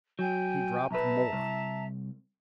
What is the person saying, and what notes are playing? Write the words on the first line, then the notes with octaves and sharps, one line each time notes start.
He dropped more.
F#3 G5 G#5 G6
B1 B4 E5 A5 A#5
C2